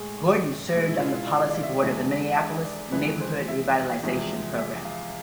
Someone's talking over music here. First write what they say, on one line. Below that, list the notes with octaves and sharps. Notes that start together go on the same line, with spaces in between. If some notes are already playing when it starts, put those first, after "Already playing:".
Gordon served on the policy board of the Minneapolis Neighborhood Revitalization Program.
Already playing: A2 G#3 G#4
B2 G#3 E4
E4
F4
D5
D5
E5
E2 D3 G#3 E5
E5
D5
F2 E3 G#3 B4
C5
E5
E2 C3 F3 G#3
E5
F5